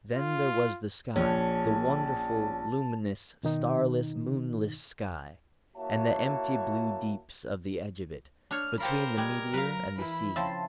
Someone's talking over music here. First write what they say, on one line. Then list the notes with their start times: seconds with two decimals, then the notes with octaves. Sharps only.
Then there was the sky, the wonderful, luminous, starless, moonless sky, and the empty blue deeps of the edge of it, between the meteor and the sea.
0.14 F4
1.16 A#1 C#4 A5
3.43 B2 D#3 D#4
5.76 A#3 E4 F#4 C#5 E5 A5
8.51 D4 C#5 F6
8.80 F4 G4 A4 A#4 C5 B5
9.17 G3 G#3 G4 G#6
9.53 F#3 B4 F5 A#5
9.98 E3 E4 B5
10.36 C#3 F3 C4 E5 A5 C6